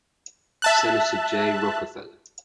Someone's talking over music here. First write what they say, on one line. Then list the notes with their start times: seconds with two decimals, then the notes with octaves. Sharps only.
Senator, Jay Rockefeller.
0.62 E5 A5 F#6